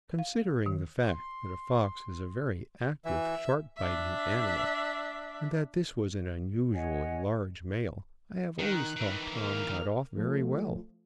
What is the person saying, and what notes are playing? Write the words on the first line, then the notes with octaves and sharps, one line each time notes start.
Considering the fact that a fox is a very active, sharp-biting animal, and that this was an unusually large male, I have always thought Tom got off very well.
F5
D#3
C6
E3 F#4 E5
D4 E5
C#5 D#5 F#5 G#5
D#3 D#4 F#6
D#3 E3
A#3 F6
F3 A3